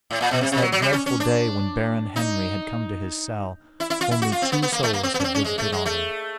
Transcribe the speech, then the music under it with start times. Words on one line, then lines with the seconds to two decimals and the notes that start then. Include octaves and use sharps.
Since that dreadful day when Baron Henry had come to his cell, only two souls had visited Otto.
0.11 A2
0.21 A#2
0.31 B2
0.41 C3
0.52 C3
0.62 F#3
0.72 F#3
0.82 G3
0.93 C#4
1.06 C#4
1.20 D4
2.16 D#4
3.80 E4
3.90 E4
4.01 F4
4.11 E4
4.22 F#4
4.32 F4
4.42 C4
4.52 B3
4.62 B3
4.72 A#3
4.83 A3
4.93 A#3
5.03 C4
5.14 B3
5.20 C#4
5.24 C4
5.35 C#4
5.44 G#3
5.58 A3
5.72 G#3
5.86 A3